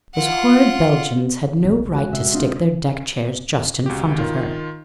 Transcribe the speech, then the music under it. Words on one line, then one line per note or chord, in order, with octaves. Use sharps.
Those horrid Belgians had no right to stick their deck-chairs just in front of her.
F4 F#5
D1 B1 C3
G#3 F#4
C3 E5
C4 D4 D#4 F4
C#2 F#4 G4
D#3 F4